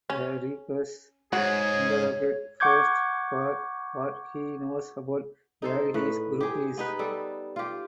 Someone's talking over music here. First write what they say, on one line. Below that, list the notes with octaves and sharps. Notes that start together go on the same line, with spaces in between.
The Reapers interrogate Frost for what he knows about where his group is.
C#4
G#2 F#4 G#4 C#5
F#5 C#6 D6 G6 G#6
D#4 A4 C5
A2 B4
G4 G#4
B3 D#4 B4
G3 A4
F4 G4